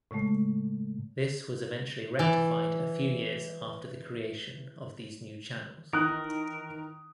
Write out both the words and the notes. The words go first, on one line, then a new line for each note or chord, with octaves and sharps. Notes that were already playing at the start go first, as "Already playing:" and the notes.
This was eventually rectified a few years after the creation of these new channels.
A2 C#3 G#3 A3
E3 D5
D#3 E3 A#4 D#6 F#6